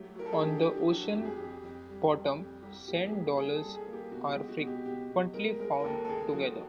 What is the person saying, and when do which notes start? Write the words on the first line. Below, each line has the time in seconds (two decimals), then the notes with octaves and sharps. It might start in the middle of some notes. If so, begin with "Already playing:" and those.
On the ocean bottom, sand dollars are frequently found together.
Already playing: F#3 A3 G4
0.16 F#3 A#4
0.26 A4
0.32 G#4
0.40 D4 G4
0.58 G4
0.65 D4
0.77 G4
0.89 F#3
0.96 F#4
1.14 F2 G4
1.25 G#4
1.36 F2 G4
1.63 F2
1.89 G3
2.13 G3
2.38 F2
2.62 C2 G4
2.88 A#3 G4
3.06 G#4
3.12 A#3 G4
3.37 G3 G#4
3.55 A4
3.62 G3
3.75 G#4
3.86 A#3
3.93 G4
4.11 B2 F#4
4.29 G4
4.35 G#3
4.49 F#4
4.61 B2
4.67 G4
4.85 B2 G4
5.10 B2
5.34 G#3 A#4
5.59 G#3 A#4
5.80 A#4
5.84 D#2 A4
6.05 A4
6.08 D#2 G#4
6.33 F3 F#4